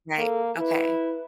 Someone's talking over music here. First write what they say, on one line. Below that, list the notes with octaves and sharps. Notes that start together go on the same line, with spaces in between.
Right, okay.
A#3 A4
E4 B4